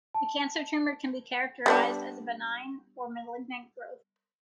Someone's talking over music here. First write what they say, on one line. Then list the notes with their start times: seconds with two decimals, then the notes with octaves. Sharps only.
A Cancer tumor can be characterized as a benign or malignant growth.
0.14 A5
1.66 G3 B3 D4